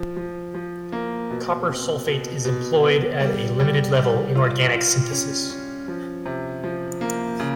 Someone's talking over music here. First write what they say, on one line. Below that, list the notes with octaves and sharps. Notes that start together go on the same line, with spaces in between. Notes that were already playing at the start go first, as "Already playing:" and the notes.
Copper sulfate is employed at a limited level in organic synthesis.
Already playing: F3
F3
F3
A#3
B2
C4
B2
B2
B3
G3
G3
G3
F4
F4
C#4
C#4
F3
C3
F3
A#3
C#3